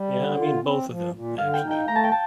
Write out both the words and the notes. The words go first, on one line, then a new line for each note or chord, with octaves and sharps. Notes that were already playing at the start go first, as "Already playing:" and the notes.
Yeah, I mean both of them actually.
Already playing: G3
D3
F4
C4
F3
A#2
D3 F5
G5
D#4
G5
A3 A#5
A5
G5
A5